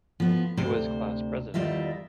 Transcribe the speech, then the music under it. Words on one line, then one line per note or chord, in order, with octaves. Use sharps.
He was class president.
F3 B3
D2 C3 C5
E2 D#3 G3 F4 D#5 E5